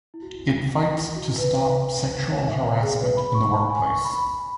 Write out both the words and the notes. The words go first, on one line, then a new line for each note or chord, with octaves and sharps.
It fights to stop sexual harassment in the workplace.
E4
F#4
E4
F#4
B4
B4
C#5
E5
C#5
G#4
B4
B5
C#6
B5
G#5
C#6
B5
B5
B5